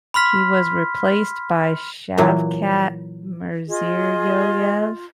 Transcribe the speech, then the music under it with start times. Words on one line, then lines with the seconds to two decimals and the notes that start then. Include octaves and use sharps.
He was replaced by Shavkat Mirziyoyev.
0.14 B5 C6 F6 B6
2.18 A#2 E3 F#3
3.68 F4 G#4 D#5